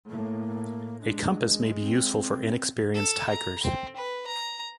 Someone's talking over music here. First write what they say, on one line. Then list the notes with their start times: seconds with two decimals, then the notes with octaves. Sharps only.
A compass may be useful for inexperienced hikers.
0.10 A2 A#3
1.02 G#3 D4
1.81 C4
2.94 A4
3.30 A#5
3.63 C4
3.96 B4
4.27 A#5